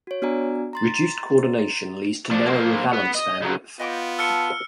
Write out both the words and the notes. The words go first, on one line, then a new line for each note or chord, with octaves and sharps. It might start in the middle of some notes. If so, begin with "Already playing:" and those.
Reduced coordination leads to narrower valence bandwidth.
F#4 C#5
B3 D4 F#4 D5 G#5 A#5
A#5 C6 A6
F3 D4
A#3 C5
B3
D#5
C#3 F#3
B3 F4 D#5 G5 D6
A5 D6 E6 F6 C#7